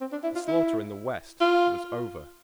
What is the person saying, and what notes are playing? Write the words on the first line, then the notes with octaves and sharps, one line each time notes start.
The slaughter in the West was over.
C4
D4
E4
F4
E4
F4